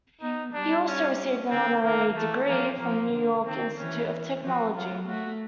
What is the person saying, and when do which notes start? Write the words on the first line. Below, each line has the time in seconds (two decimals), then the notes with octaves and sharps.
He also received an honorary degree from New York Institute of Technology.
0.21 B3 D#4
0.53 G3 D4
0.87 C#4
1.50 D3 C4
1.84 D#3 A#3
2.16 E3 A3
2.48 F3 A#3
2.81 F3 A#3
3.14 D3
3.46 D#3 C4
3.78 E3 C#4
4.43 F3 F#4
4.76 F#3 F4
5.08 A3 F#4